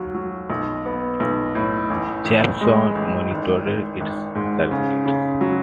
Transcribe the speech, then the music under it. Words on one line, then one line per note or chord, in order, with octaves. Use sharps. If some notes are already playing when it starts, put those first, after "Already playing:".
Jeppson monitored its circuits.
Already playing: D#2 F#3
F#3
B1
B3
B1
A2
A1
A1
G#3
A1
G#1
G#1
G#1
G#2
C#3
C#3
F#3